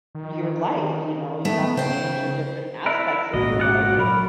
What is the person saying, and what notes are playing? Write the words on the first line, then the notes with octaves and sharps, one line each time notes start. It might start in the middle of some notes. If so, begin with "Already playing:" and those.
your life, you know? You have to change the different aspects of your life and
D#3
A3 B3
C#3 C5 G5
D4 E4 A#4
G#1 A#2 G#3 F#4 D#5
F4 F#5 D6
F#3 A#4 B5